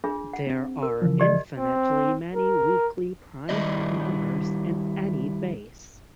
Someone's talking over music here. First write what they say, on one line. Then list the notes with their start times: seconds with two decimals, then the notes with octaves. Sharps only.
There are infinitely many weakly prime numbers in any base.
0.04 D4 F4 G#4
0.33 F#5
0.47 C4
0.83 A#4
1.02 C#3 E3 F3
1.20 G4 D5 D#5
1.58 C4
2.35 A#4
3.49 D#3 G3 E4 D5 D#5